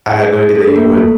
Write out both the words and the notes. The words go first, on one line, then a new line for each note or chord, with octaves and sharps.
I I had no idea that you would
G#4
G#4
A3 A4
A#3 A#4
A3 A4